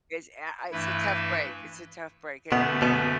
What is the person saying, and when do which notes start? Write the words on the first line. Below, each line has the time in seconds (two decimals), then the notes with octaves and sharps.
It's ah it's a tough break, it's a tough break, and
0.71 G2 E3 A3 E4 B4
2.52 F#2 B2 D3 A3 B3
2.82 B2 B3